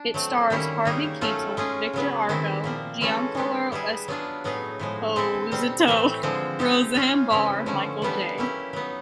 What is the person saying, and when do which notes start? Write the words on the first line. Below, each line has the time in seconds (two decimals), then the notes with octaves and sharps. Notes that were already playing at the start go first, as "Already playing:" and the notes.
It stars Harvey Keitel, Victor Argo, Giancarlo Esposito, Roseanne Barr, Michael J.
Already playing: D4
0.14 F#3 A3 C4
0.50 D#3 G3 A#3 C#4 E4
0.85 D#3 G3 A#3 D#4 G#4
1.21 F#3 A3 C#4 F4 A4
1.57 G#3 C#4 F4 G#4
1.93 C#3 F#3 B3
2.29 D#3 G#3 C4 E4
2.64 A#2 F3 A#3
3.01 E3 G#3 C#4 F#4 A4
3.35 G#3 B3 D4 G4
3.72 G3 B3 E4 G#4
4.08 F#3 B3 D4 F4 G#4
4.44 A2 F#3 B3 D#4 G#4
4.80 A2 F3 G#3
5.16 G#3 C4 E4 A4
5.51 B2 G3 C4
5.87 A2 E3 A3 C4
6.23 D3 F3 G#3 C4
6.59 G#3 C4 D#4 G4
6.95 G#3 C#4 F4 G#4
7.30 C#3 E3 G#3 C4 E4
7.66 D3 F3 A3 C#4
8.02 E3 G3 B3 D4 G4
8.38 F#3 A#3 C#4 E4 G4
8.73 F#3 B3 D#4